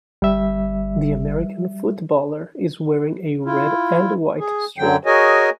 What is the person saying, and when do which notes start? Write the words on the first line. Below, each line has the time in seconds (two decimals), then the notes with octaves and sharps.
The American footballer is wearing a red and white strip.
0.22 G1 G3 E5
3.45 E4 F4
4.40 G#4
4.78 F#2 D3 F#3 G5
5.06 F#4 G#4 A#4 C#5 D#5 G#5